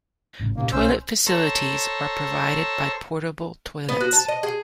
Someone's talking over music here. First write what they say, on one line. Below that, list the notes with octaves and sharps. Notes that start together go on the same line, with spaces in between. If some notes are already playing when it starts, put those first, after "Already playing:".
Toilet facilities are provided by portable toilets.
G#1 A2 C#3
D#2 A#2 C#3 A#3
B1 C#4 C5 E6
A4 C5 C#5 A#5 E6
B3
F#4
A5
D#5
G#4